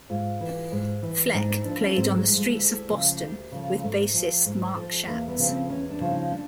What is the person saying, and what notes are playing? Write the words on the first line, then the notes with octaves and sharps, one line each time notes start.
Fleck played on the streets of Boston with bassist Mark Schatz.
G#2 F4
E3
G#2
E3
G#2 D#4
D#4
F3 D4
C#4
G#2 C4
G#3
F3
G#3
D2
C#3 F3
D2
C#3 F3
G#2 A3
F3
G#2
F3
E2 A#3
B3
C#3 F3
C4
E2 C#4
D4
C#3 F3
D#4
D4